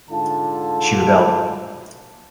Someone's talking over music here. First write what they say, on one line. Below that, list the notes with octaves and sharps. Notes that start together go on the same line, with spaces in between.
She rebelled.
G#2 D3 F4 A5